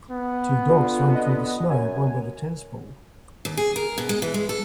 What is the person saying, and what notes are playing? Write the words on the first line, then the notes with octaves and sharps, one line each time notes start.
Two dogs run through the snow, one with a tennis ball.
B3
D3 F4
D#5
F#2 G#5
D#2
G#4
A#4
B2
G#3
E3
G#3
A4